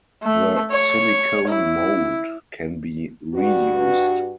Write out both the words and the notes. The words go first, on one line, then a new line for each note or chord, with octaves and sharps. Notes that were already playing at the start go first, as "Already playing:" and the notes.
The silicone mold can be reused.
A3
C#5
E4
G2 F#4